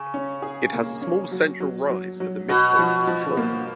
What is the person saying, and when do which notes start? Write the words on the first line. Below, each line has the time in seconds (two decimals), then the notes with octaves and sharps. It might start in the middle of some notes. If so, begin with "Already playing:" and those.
It has a small central rise at the midpoint of the floor.
Already playing: C#3
0.14 C#4
0.42 G#4
0.73 A#3
1.02 C#4
1.32 F#3
1.60 F#3
1.90 F#3
2.20 F#3
2.49 B2 F#4
2.79 F3
3.07 F3
3.37 A#3